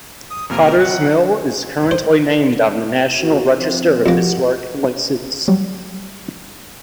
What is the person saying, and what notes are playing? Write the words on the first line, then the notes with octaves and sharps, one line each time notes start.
Potter's Mill is currently named on the National Register of Historic Places.
D#6
F2 C3 A#3 A#4
F#3 F#5
C5
A#3 F4 F#4
F3 C4
F2 A#3 F#4 G4
F#3 G3